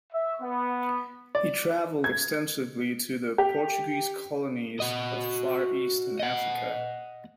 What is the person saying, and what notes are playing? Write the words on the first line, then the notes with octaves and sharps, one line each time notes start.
He travelled extensively to the Portuguese colonies of the Far East and Africa.
E5
B3
D5
G#6
G4
F#4 D#5
D#5 F#5